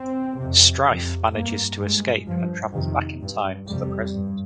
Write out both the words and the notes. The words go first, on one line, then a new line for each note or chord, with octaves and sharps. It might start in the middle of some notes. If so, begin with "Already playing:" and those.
Stryfe manages to escape and travels back in time to the present.
Already playing: C4
F2 C3
F2 C3
G2 A#3
G2 G#3
G2 F3
F2 C3 D#3
G2
F2 C3 G3
G2